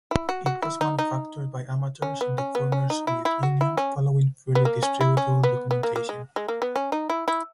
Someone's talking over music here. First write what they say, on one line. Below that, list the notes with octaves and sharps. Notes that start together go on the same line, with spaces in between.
It was manufactured by amateurs in the former Soviet Union, following freely distributable documentation.
E4
F#4
F#4
E4
D#4
D#4
C#4
B3
C#4
B3
C#4
D#4
E4
E4
F#4
E4
C#4
B3
A#3
C#4
E4
C#4
B3
B3
A#3
A#3
G#3
G#3
A#3
B3
C#4
D#4
E4
E4